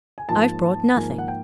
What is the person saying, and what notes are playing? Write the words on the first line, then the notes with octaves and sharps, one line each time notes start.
'I've brought nothing.
G#5
G#2 F3 A#3 A5
G#2 F3 A#3 G#5
F#5
G5